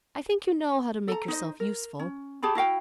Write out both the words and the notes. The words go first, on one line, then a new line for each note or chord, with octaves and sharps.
I think you know how to make yourself useful.
A4 A#5
D#4 C5 D#5
A#4
C#4
G4 G#4 A5 B5
E4 F#4 F5 G5